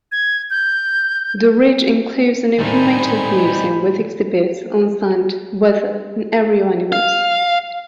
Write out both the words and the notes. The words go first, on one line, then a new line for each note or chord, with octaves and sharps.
The Ridge includes an informative museum with exhibits on sand, weather, and area animals.
G#6
G6
A2 D#3 G3 A3 D#4 C5 G#5 B5
F5